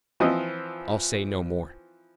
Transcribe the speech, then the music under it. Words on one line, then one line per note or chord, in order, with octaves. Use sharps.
I'll say no more.
E3 F3 C4 D#5